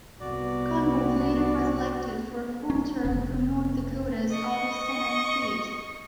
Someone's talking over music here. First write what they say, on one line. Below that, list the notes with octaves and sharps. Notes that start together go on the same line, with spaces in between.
Conrad later was elected for a full term from North Dakota's other Senate seat.
C2 B3 F#4 D5
C#4
F1
D#5 C#6